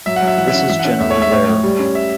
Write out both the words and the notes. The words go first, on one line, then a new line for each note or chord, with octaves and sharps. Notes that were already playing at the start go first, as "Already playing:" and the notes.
This is generally rare.
F#3 E5
F#5
F#3
E5
E3 F#5
E5
C#4
F#5
E3 E5
F#5
C#4
E2 E5
C#5
A3
E5
A2 C#5
A2
G3
C#4
E5